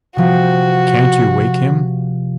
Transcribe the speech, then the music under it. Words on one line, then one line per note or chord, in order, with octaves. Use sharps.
Can't you wake him?
C3 F3 C4 F#4